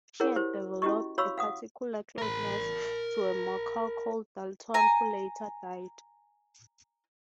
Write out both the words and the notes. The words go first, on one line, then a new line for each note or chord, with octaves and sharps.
She had developed a particular closeness to a macaw called Dalton who later died.
E4 G#4 A#4 C#5 F#5
E4 G4 C5
C#4 E4 F#4 G4 D#5 C#6
F#4 C#5 F5 B5 C#6 E6
F5 F#5 D#6
A#4 B5
G#5 A#5